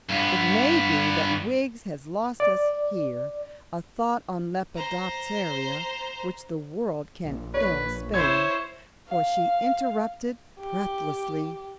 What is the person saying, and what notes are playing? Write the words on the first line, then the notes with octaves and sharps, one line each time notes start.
It may be that Wiggs has lost us here a thought on lepidoptera which the world can ill spare; for she interrupted breathlessly.
G2 B3
D5
C5 A#5
A#1
B4 C#5
E4 C5 C#5 G#6
F5
G4